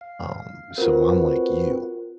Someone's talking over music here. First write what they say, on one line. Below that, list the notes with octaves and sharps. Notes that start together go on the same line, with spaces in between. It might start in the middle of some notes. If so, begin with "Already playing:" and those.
um, so, I'm like you.
F5
C4 F4 F#4 A#4 B4